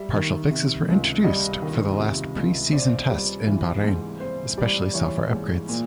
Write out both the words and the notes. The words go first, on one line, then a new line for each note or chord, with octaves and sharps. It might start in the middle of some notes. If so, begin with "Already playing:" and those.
Partial fixes were introduced for the last pre-season tests in Bahrain, especially software upgrades.
Already playing: G3 E5
D#3
C3
C#2
G3 D#5
D#3
C3
C#2
C4 D5
G3
E3
G#2
C4 C5
G3 D5
E3 C#5
G#2
A#2